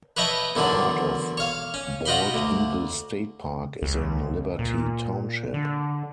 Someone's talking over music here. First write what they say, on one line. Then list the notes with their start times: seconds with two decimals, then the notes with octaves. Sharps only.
Part of Bald Eagle State Park is in Liberty Township.
0.17 B4 C#5 D#5 E5 G5 A5
0.56 E2 D3 D#3 F#3
1.37 C#5 F5
1.74 C#4
2.06 F4 F#4 D#5 G5 B5 C6
2.34 D2
3.82 C#2
4.59 A#2
5.54 D3